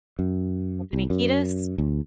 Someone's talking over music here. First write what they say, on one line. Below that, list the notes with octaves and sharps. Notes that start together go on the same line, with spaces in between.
Anthony Kiedis?
F#2
C2
F#2
D2